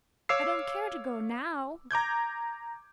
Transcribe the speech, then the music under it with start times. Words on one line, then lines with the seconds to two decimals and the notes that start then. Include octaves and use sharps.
"I don't care to go now."
0.29 C#5 F5 D6 E6 C7
1.91 A#5 D6 G6 G#6